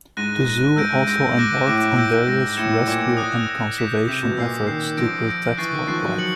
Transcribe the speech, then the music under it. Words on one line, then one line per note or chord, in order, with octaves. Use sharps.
The zoo also embarked on various rescue and conservation efforts to protect wildlife.
G#2 F#6 A#6 D#7
F#6 A#6 D#7
G#2 E6 G6 A#6 D7
G#2
G#2 E6 G6 A#6 D7
D6 F#6 A#6 D7
A2 D6 F#6 A#6 D7
E6 G6 A#6
G#2 E6 G6 A#6
A2 G#6 C#7 E7
A#2 G#6 C#7 E7
D#6 F#6 A#6
D#6 F#6 A#6
G6 B6 E7
C3 G6 B6 E7
B2
A#2 E6 G6 C7
D#3 E6 G6 C7
F3 E6 G6 A#6 D7
E6 G6 A#6 D7
E3 C#6 F#6 A6 C7
D#3
F3 C#6 F#6 A6 C7
F#3
C#7 F#7